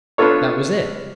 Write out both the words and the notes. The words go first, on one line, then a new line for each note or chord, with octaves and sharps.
That was it!
B3 D4 F4 A4 C#5